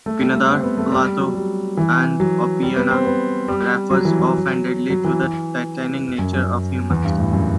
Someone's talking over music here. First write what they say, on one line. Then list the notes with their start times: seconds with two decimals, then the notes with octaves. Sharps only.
Pindar, Plato, and Oppian refer offhandedly to the "Titanic nature" of humans.
0.06 A3
0.21 G3
0.34 A3
0.49 C4
0.63 B3
0.77 A3
0.92 G3
1.20 F#3
1.34 G3
1.77 E3
2.20 F#3
2.63 G3
2.77 B3
2.91 C4
3.05 B3
3.48 G3
3.91 F#3
4.05 E3
4.19 F#3
4.90 F#3
5.04 E3
6.19 F#2
6.33 F#2
6.90 E2
7.04 G2
7.18 A2
7.33 F#2